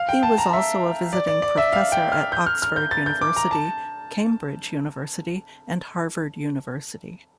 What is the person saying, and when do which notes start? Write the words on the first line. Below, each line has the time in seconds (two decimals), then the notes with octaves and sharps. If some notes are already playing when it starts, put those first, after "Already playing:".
He was also a visiting professor at Oxford University, Cambridge University and Harvard University.
Already playing: F5
0.09 G5
0.23 A5
0.38 A#5
0.53 E5
1.13 D5
1.28 D5
1.42 D5
1.58 E5
1.73 F5
1.92 G5
2.12 F6
2.32 G6
2.46 F6
2.62 F6
2.76 G6
2.91 A6
3.06 G6
3.21 D6
3.36 A#5
3.51 A5